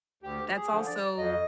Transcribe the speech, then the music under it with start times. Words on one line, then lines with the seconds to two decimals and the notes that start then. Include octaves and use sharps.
that's also,
0.23 D2 G4
0.55 G#4
0.70 D3 F3
0.86 D5
1.17 F2 D#5